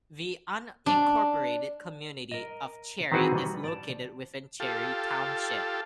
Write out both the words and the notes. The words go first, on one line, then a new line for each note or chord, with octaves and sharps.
The unincorporated community of Cherry is located within Cherry Township.
D4
A#4 D#5
D#3 E3 C4 F#4 G#4 B4
G3
D5 A5
F4 G4 A4